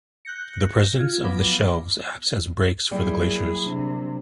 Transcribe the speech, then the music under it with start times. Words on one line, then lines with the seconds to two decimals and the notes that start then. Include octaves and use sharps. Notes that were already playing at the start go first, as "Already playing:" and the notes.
The presence of the shelves acts as "brakes" for the glaciers.
0.25 F#6 G6 A#6 C#7
0.99 F4 G#6
1.23 F3 F#3 B3 B5 D6 A#6
2.91 F#3 G3 A#3 E4 G#4
3.67 C3 D4